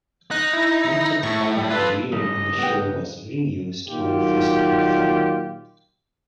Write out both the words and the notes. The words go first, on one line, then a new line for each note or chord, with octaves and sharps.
Much of the comic material in the show was re-used on "Fist of Fun".
D#4 F#6
E4
A2 C#6
G3
F4 A4 B4
C#3 G3 D#5
B3 G4
A#2 D#3 F#3 F4 G4